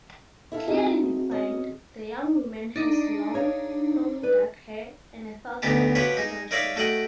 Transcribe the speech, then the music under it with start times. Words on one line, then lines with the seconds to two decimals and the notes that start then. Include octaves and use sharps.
Clearly defined, the young woman has long, flowing dark hair and a thoughtful expression.
0.52 E4 A4 F5
0.68 C4 D#4 F#4 G#4
1.31 C#4 D#5
2.76 D4 D#4
3.34 G#4 C#5 F5
4.23 B4 D5
5.62 D2 B3 D#4 G4 A5
5.95 F3 F#4 G4 B4 C#5
6.17 G#3 D#4
6.51 D#4 A#4 C#5 D5 E5 F5
6.76 A3 F#4 D#5 F#5 G5